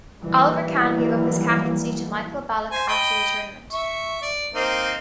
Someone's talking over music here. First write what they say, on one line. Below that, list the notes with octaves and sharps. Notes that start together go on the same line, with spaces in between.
Oliver Kahn gave up his captaincy to Michael Ballack after the tournament.
D#3 E3 F#3 G3 A#3
C5 G#5
D#5 G5 B5
E5 C#6
D5
A#3 C4 D#4